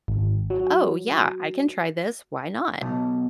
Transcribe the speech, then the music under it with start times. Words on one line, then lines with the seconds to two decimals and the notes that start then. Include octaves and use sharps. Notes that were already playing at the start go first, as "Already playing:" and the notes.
"Oh, yeah, I can try this, why not?
0.08 G#1
0.50 F#3
2.82 B1